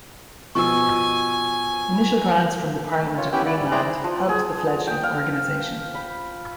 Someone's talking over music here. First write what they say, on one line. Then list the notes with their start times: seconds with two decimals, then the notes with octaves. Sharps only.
Initial grants from the Parliament of Greenland helped the fledgling organization.
0.55 B2 F3 G#5 C#6 E6
3.01 A3
3.17 F4 C#5
3.33 B3 C#4 E4 G4 E5 G5
3.45 B3 E4 D5
3.60 G#2 G3
3.71 E4 G#4 C5 D5 G5 A#5
4.04 F3
4.29 G#4
4.87 G5
5.03 F5
5.94 B5